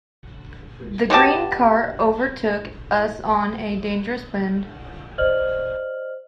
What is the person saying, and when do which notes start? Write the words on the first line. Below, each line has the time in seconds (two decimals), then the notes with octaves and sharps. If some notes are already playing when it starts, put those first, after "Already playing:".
The green car overtook us on a dangerous bend.
1.10 B2 F#4 G4 A5
5.18 C5 D5 D#5 F6 F#7